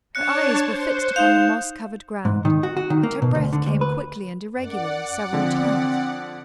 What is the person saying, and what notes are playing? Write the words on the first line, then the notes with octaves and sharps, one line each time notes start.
Her eyes were fixed upon the moss-covered ground, and her breath came quickly and irregularly several times.
D4 C#5 A5 F#6 C#7
C5
D#4 F5 G6 E7
G#2
D#3
F#4
F#4
D#3
A#3
B2
D2
D3
D2
B4
F#2 D5 F#5
D3 F3 C4